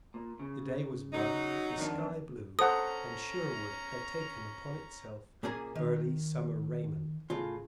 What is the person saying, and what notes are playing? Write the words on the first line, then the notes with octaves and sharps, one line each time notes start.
The day was bright, the sky blue, and Sherwood had taken upon itself early summer raiment.
A#2
C#3
F#3 D#4
F2 D#3 D4
C#4 A4 C5 F#5 A#5 D#6
A#2 A#3 C#4 G#4 G#5 A#5
D#3
A2 C#3 F4